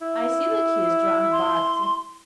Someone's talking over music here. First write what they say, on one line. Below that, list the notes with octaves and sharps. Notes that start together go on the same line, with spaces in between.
"I see that he is drunk, but...."
E4
C6